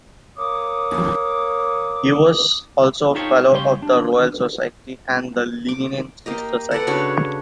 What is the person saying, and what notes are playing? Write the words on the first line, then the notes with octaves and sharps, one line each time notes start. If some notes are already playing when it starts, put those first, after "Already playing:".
He was also a Fellow of the Royal Society and the Linnean Society.
A#3 C#5 D6 D#6
D#4 F4 G4 A4 C5 C#5
C#3 G3 C#4 G4 C6
D4
D6
A#3 G4 D#5
A4 B4 D5 F#5
C#3 D4 F#4 C#5